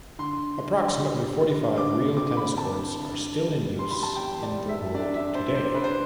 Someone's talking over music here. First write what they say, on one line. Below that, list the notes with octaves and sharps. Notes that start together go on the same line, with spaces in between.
Approximately forty-five real tennis courts are still in use in the world today.
D3 C6
D3
G3
D3
D3 D6
C4 D6
B5
D3 A5
D3
G3
G3 C6
B5
A5
E2 G5
D5
G3
E5
D4 D5
E5
D4 C5
C5
D4 B4
C5